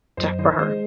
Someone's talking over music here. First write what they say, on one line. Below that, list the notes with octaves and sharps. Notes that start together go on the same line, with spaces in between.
to for her.
F#2 C5 D#5
D#3 C5 D#5
G#3 C5 D#5